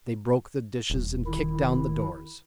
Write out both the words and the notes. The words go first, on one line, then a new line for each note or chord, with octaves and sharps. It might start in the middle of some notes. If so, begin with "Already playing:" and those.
They broke the dishes and kicked down the doors.
D#1
D#3 E4